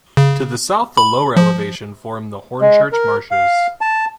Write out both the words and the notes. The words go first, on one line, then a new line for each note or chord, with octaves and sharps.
To the south the lower elevation formed the Hornchurch Marshes.
C#3
B5
F3
G#3
A#4
F5
A5